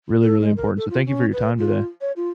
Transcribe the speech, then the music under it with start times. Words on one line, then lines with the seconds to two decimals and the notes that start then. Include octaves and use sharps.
really, really important. So thank you for your time today.
0.23 A4
0.41 G#3
0.57 A#4
0.77 A4
0.90 F4
1.06 C#4
1.32 B4
1.58 F4
2.01 C#5
2.16 F4